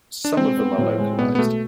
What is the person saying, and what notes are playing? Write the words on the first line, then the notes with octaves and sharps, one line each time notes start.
Some of them are localized.
D4
G#3 C4
B3
A2
G#3
B1 B3
B3
B2 A3